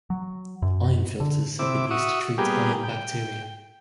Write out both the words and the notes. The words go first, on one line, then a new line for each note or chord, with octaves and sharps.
Iron filters have been used to treat iron bacteria.
F#3
F#2
D3
C3 E4 D6
F#4 E5 C#6 D#6
G3 A#3 B3 G4 G#4
G5